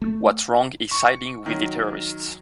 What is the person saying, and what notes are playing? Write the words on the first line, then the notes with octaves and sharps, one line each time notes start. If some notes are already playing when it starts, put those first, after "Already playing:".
What's wrong is siding with the terrorists.
A3
C#6
D#3 F#3